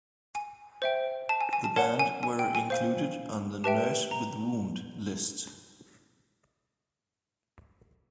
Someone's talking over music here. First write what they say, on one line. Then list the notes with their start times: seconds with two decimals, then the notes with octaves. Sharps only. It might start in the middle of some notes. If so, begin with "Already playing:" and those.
The band were included on the Nurse With Wound list.
0.35 G#5
0.82 C5 E5 G5
1.29 A5
1.41 G#5
1.53 G#5
1.64 A5
1.76 A#4 C#5 F#5 A5
1.99 G#5
2.23 G#5
2.39 G5
2.55 G#5
2.70 C5 F5
3.64 G4 B4 E5 G5 A5
4.11 A#5